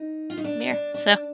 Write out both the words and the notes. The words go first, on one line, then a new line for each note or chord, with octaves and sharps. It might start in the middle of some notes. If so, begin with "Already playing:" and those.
Beer, so
Already playing: D#4
F4
D#4
D4
D4
D4